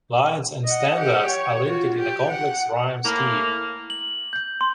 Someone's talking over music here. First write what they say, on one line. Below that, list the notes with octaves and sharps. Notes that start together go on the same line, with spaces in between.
Lines and stanzas are linked in a complex rhyme scheme.
D#5 F#5
G4 F#5
C#5
F4 F#4
G4
F#5
A2 A#3
F#7
G6
C6